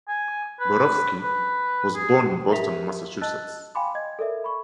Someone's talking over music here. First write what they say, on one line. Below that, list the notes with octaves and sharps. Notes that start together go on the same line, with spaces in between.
Borofsky was born in Boston, Massachusetts.
G#5
B4
B4
G#4
G4 A#4 E5 B6 F7
D#5 A5 E6 F#6 A6
F5 G5 G#5 B5 C6 D6
D#5 G#6
A4 A#4 D5 E5
B5 C#6